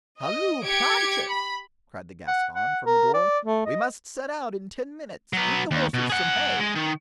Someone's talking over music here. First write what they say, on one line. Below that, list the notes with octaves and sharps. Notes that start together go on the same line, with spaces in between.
"Halloo, Planchet!" cried the Gascon from the door, "we must set out in ten minutes; give the horses some hay."
D#5
G4 G#6 C#7 D7
B5
F#5
F#5
A#4
D5
A3
D#5
F#3 B3
D#2
B2
G#4 F#5
G#3
D#3